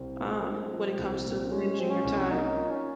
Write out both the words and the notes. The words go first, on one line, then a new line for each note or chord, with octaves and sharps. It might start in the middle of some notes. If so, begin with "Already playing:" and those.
Um, when it comes to managing your time.
Already playing: C2 C4
A#2
G#3
F3
C2
A#2
G#3 C#4
F3 C4
C#4
C2
A#3 D#4
F4
C#4